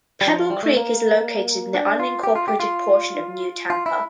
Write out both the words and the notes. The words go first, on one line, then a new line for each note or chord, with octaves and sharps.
Pebble Creek is located in the unincorporated portion of New Tampa.
G3
F3
G3
A3
A#3
D4
F4
G4
F4
G4
F4
F4
E4